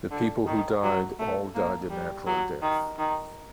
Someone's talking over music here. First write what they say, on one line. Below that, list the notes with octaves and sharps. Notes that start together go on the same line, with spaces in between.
The people who died all died a natural death.
D3
D#3
F#3
A3
A#3
G3
F#3
D#3
D#3